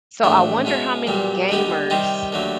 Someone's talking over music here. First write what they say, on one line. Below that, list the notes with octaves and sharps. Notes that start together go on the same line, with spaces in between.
So I wonder how many gamers
A#1 A2 E3 A3 D4
B2 G#3 C#4 E4
B1 A#2 G3 A#3
D#2 D3 G3 B3 D#4
C3 D#3 G3 C4 D#4
D#2 D3 F#3 A3